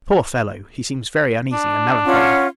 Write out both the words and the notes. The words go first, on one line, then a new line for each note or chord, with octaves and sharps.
Poor fellow! he seems very uneasy and melancholy.
D4
C#4 F4 F#5